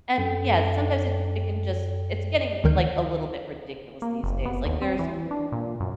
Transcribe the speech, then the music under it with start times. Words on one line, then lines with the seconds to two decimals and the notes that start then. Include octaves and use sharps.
and, yeah, sometimes it it can just it's getting, like, a little bit ridiculous these days, like, there's
0.18 F#2 A4 G5
2.64 D2 D#3 A#4 G6
4.02 A#3
4.24 F#1
4.45 B3
4.65 D#2
4.82 C4
4.99 E3
5.31 D4
5.52 A#2
5.80 F#2